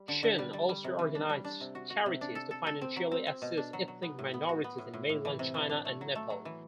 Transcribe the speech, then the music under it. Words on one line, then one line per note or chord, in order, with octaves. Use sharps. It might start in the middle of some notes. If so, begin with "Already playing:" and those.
Chen also organized charities to financially assist ethnic minorities in mainland China and Nepal.
Already playing: G3
D3
D3
G3
G3
G3
C3
E3
D4
G3
D4
C3
F#4
F#4
C3
D4
A4
A4
A4
C4
F#3
C4
C4
B2
D4
F#3
F#3
B3
A2
B3
F#4
B3
A2
A2
A2
E3
C3
E3
D4
A3
F#3
A3
F#3
E3